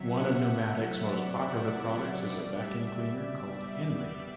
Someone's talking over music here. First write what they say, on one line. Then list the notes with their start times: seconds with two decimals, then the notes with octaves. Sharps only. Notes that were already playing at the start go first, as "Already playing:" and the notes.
One of Numatic's most popular products is a vacuum cleaner called Henry.
Already playing: C3 F#3 E5
0.09 F#5
0.41 F#5
0.71 E5
1.03 D5
1.34 D5
1.66 D5
2.28 B2 G3 D5
2.60 E5